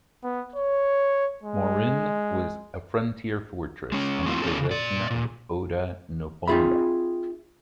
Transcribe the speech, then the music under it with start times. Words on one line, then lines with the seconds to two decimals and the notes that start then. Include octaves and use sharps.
Marune was a frontier fortress in the possession of Oda Nobunaga.
0.23 B3
0.56 C#5
1.43 G#3
3.92 G#3 C#4
4.26 F3 A3 C4 E4 F4
4.42 A3 B3 C#4 G4 A4
4.58 C#3
4.70 A#2 D5
5.10 A#2
6.48 C4 D#4 F4 G#4 E5 B5